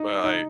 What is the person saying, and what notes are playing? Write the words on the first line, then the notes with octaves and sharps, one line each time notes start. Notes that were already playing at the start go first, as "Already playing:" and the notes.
but like
Already playing: D#4
D#4